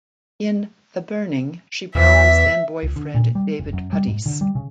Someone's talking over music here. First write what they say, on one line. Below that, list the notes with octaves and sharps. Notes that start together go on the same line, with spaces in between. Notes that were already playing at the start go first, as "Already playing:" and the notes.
In "The Burning" she borrows then-boyfriend David Puddy's.
E2 E5
C#2
D3
A#2
G3
F#1
F#2
G3
G#2
D3
G3
C#3